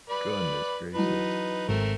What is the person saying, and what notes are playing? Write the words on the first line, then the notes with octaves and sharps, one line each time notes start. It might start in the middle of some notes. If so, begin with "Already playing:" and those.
Goodness gracious.
B4 D5 B5
E3 F#3 D#4 B4
G#1 A3 C4 A#4